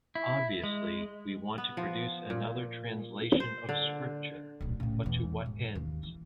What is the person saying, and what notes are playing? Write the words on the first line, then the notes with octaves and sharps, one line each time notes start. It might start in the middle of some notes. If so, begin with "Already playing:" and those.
Obviously we want to produce another translation of Scripture – but to what ends?
E4
G#3
B3
F3
A#2
C5
D3
D1 B1
A2 C#3
E2 B2
G#2
D#2
E3